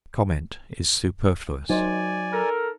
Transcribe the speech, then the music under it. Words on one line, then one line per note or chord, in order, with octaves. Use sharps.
Comment is superfluous.
F#3 D#4 C5 D5 G#5
A4 A#4